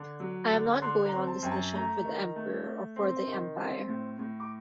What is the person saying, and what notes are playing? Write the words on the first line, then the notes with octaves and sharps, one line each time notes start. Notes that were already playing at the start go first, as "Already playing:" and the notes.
I am not going on this mission for the Emperor or for the Empire...
Already playing: D3
F#3
D3
D3 C6
A#5
C4
A5
F#2 G5
A5
A3 A#5
D#3
A3
A3
C4
D#3
C4
A2
A2
D6